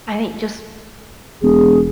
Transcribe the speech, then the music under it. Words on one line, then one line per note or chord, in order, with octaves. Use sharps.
I think just
E1 G#4